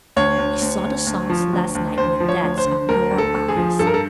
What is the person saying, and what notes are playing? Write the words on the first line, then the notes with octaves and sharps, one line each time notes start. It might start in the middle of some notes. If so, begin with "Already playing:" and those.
"I saw the songs last night in the depths of your eyes."
D2 C#5
D2
D2
D2
D2
F3
D2
D2
D2 C5
F3
C#5
D2
C5
D3
D2 A#4
D2
A4
D2
G#4
F3
G2 A4
A#4
A4